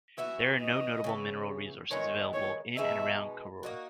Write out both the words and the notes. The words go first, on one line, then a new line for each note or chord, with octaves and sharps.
There are no notable mineral resources available in and around Karur.
E3 B3 F#4 E5
D#5
C#3 E3 B3
D#3 G#3 B3 E4 C#5
C#5
B2 G#3 B3 D#4 E5
A#3 D#4 F#4